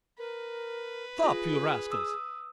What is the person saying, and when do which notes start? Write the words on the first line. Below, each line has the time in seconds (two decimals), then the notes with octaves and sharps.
"Stop, you rascals!"
0.18 A#4 B4
1.24 F4 G#4
1.91 D#6 E6